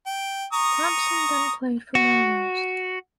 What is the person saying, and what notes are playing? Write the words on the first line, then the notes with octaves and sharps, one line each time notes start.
Thomson then played for Melrose.
G5
A#5 C#6 D#6
F#4